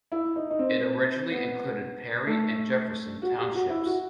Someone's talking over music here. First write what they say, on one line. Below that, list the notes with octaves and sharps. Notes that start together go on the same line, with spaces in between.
It originally included Perry and Jefferson townships.
E4
D#4
D#4
C4
B3
A3
F#4
G4
F#4
E4
F#4